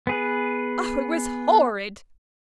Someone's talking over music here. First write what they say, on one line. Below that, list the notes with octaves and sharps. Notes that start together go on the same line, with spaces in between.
Oh, it was horrid!'
B3 G#4 B4